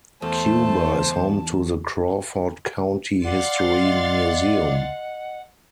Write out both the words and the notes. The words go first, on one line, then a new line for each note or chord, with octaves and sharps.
Cuba is home to the Crawford County History Museum.
E2 A3 C5 A5
D5 F5 F#5 C6 A6
D#5